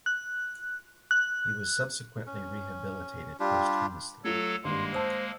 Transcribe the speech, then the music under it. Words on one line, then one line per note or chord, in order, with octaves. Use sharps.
He was subsequently rehabilitated posthumously.
F#6
F#6
C#4
G3 D4 F4 G4
F#3 A3 F4 A4 C#5 G7
G#1 G2 G#3 A#3 C6
C5 A5 D#6 E6